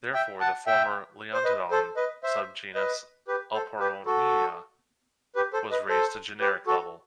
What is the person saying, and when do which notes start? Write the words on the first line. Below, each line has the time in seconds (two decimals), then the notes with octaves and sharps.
Therefore, the former "Leontodon" subgenus "Oporinia" was raised to generic level.
0.14 E5 G5
0.40 F#5 A5
0.67 E5 G5
1.34 C5
1.45 B4 D#5
1.71 A4 C5
1.97 B4 D#5
2.23 C5 E5
2.75 B4 D#5
3.28 G4 B4
3.54 A4 C5
3.79 G4 B4
4.06 F#4 A4
5.36 G4 B4
5.53 A4 C5
5.71 B4 D#5
5.89 A4 C5
6.40 G4 B4
6.67 F#4 A4